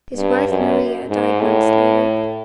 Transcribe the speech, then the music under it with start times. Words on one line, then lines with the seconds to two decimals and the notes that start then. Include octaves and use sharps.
His wife Maria died months later.
0.16 G2
0.48 F#2
1.09 G#2
1.41 A2